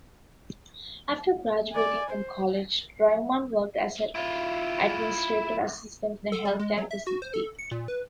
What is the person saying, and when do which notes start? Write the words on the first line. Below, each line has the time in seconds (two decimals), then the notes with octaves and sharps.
After graduating from college, Draiman worked as an administrative assistant in a healthcare facility.
1.72 D5 G#5
2.10 C5
4.15 E4 F4
6.32 A4
6.45 G3
6.59 G#3
6.77 F#3
6.91 E5
7.07 F#4
7.22 C5
7.34 A4
7.59 C#7
7.71 A#2
7.88 B4